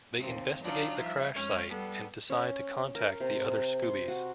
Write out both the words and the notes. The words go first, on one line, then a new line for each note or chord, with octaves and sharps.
They investigate the crash site and decide to contact the other Scoobies.
D#2 C3
F#3 D4 D#4 F4 D5
F3 G3 E5
F2 G#3 C#4 F6
G3 B3 A4
C#4
A#4
C3
C6
F#4